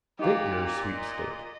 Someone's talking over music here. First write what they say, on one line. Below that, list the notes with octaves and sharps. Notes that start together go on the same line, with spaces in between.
Vintners' sweepstake.
A#2 D#4 G4 F5
D#5